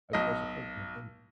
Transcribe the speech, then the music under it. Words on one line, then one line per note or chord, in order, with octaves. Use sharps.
Of course, of course, welcome.
B1 D#5